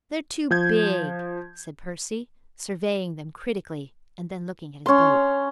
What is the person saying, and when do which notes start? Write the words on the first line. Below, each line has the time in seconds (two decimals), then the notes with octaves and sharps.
"They're too big," said Percy, surveying them critically, and then looking at his boat.
0.51 F3 G6 G#6
4.86 C#4 C6